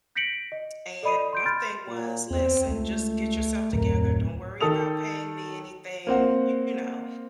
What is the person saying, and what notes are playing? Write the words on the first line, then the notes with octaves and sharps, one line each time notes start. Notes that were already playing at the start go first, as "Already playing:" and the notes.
and my thing was, "Listen, just get yourself together, don't worry about paying me anything," you know,
G6 A#6 B6 C#7 D7 F#7
D#5
A4 D5 D#5 B5 D#6 D#7
C6 G6 D7
B5 C6 F6 G6 A6
A#2
E2 C4
C#2 A3
D1 F2 A#4
D#3 A4 D#6 F7
A#3 C4 F#5